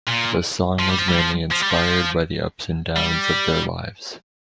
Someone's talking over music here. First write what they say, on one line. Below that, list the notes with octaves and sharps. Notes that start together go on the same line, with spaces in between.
The song was mainly inspired by the ups and downs of their lives.
A#2
F3
G3
F3
G3
F3
F3
G3
F3
G3